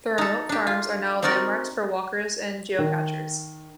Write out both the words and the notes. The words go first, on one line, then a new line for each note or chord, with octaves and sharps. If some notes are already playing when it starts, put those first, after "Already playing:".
The remote farms are now landmarks for walkers and geocachers.
D#4 A4
D4 G4
F4
C4 D#4 F#4 A#4 D5
D#3